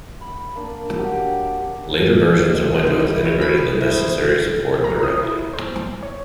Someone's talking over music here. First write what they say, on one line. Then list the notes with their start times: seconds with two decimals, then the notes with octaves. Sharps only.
Later versions of Windows integrated the necessary support directly.
0.21 B5
0.55 A#3 D4
0.97 F#3 D4 G4
2.54 G#3
2.87 D#4
3.00 E4
3.25 C#5
3.41 B5
3.57 G#4
3.81 E4
3.97 C5
4.84 A#5
5.03 D#6
5.23 E4
5.53 C5
6.03 C#5